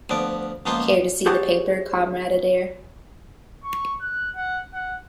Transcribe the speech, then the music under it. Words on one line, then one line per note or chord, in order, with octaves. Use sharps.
Care to see the paper, Comrade Adair?
D2 F3 B3 D5
C#2 F3 A#3 B3 F4 C5
G4 G#4 C5 C#5 F#5 A5
C#6
F#6
F#5
F#5